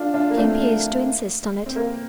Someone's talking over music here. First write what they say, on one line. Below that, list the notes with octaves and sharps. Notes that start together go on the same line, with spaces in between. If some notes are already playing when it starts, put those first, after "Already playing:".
"She appears to insist on it."
Already playing: D4 F4
D4 F4
A#3
A3 C4
C4
A#3